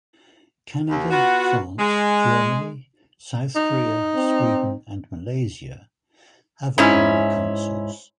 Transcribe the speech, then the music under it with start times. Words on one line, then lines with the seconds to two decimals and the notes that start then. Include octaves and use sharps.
Canada, France, Germany, South Korea, Sweden and Malaysia have Honorary Consuls.
0.90 D#2
1.11 B3 F4 F#4
1.79 G#3
3.55 D#4
4.15 C4
6.78 G#2 C#4 E4